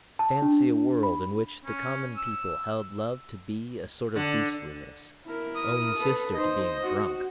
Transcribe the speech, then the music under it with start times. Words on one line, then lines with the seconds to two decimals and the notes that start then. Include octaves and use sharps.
Fancy a world in which the common people held love to be a sort of beastliness, own sister to being drunk! . . .
0.19 A5
0.42 D4
1.03 B5
1.65 C#4
2.17 E6
4.16 D3
5.27 E4 A#4
5.56 D#6
5.97 A4 B4
6.34 D#4 C5 D#5
6.83 F#4